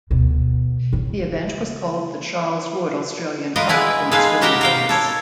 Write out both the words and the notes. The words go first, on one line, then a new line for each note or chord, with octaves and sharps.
The event was called the Charles Wood Australian Cup in its early days.
D2 B2
C#3
F4 A#4 B4 D#5
G#3 B3 E4 B4
G#3 D#4 G#4 A4 B4 F5
F#4 G4 A#4 B4 F#5 G5
A#4 F5 G5
A4 C#5